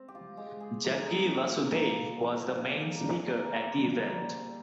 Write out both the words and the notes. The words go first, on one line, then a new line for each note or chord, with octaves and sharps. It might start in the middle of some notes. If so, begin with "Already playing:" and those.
Jaggi Vasudev was the main speaker at the event.
Already playing: C4
G4
F4
G#3 G4
G4
G#4
A#2 A#4
G#4
A#4
A#2
A#4
A#3 C5
F3 D#5
A#2 D5
G#4
A#4
A#4
A#2 G#4
A#4
C4 D5
A#4
G3 A#4
C5